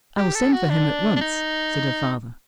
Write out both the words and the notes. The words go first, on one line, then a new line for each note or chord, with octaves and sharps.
"I will send for him at once," said her father.
G4
A4
F#4
D4
D4
D#4